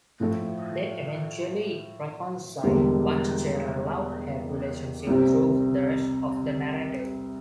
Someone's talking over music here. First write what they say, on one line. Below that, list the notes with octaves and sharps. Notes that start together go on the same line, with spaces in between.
They eventually reconcile, but share a love-hate relationship through the rest of the narrative.
A2 F3 A3
E1 E2 D3 G3 A#3
C2 C3 G3 C4